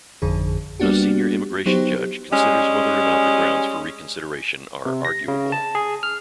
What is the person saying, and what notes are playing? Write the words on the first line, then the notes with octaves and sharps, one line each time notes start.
A Senior Immigration Judge considers whether or not the grounds for reconsideration are "arguable".
G#1 F2 D3 G#4
G3 A#3 B3 D4 F#4 G4
F#3 B3 D#4 G4 C5
G3 G#3 C#4
C3
A#6
C#3
A5
G#4
F6